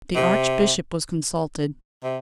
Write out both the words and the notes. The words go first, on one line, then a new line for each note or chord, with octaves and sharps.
The Archbishop was consulted.
C3
C3